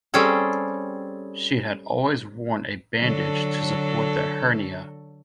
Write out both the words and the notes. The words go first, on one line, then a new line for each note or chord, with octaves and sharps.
She had always worn a bandage to support the hernia.
G3 C4 C#4 G#4 A4
D3 F#3 A4